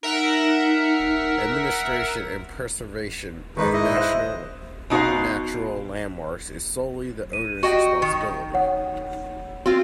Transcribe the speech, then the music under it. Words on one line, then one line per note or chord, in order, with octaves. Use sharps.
Administration and preservation of National Natural Landmarks is solely the owner's responsibility.
D#4 A#4 E5 F#5
G#2 D#3 D#4 B4
E4 D#5
C5 F#6
B2 D#4 F#4 C5 F5
D#7
F#4 D#5 G5
D#3
C#5 F#5
C4 F4 F#4